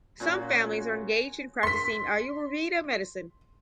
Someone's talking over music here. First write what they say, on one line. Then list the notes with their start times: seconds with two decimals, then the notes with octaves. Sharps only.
Some families are engaged in practicing Ayurveda medicine.
0.20 A#2 C#4 F4 F#4
1.63 C6 B6